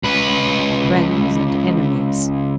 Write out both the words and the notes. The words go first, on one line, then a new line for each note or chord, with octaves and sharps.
"Friends and enemies!"
C#2 B4